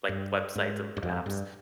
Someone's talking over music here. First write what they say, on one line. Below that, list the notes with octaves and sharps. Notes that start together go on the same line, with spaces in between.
like, websites and br apps.
G2
G#2
G2
F2
G2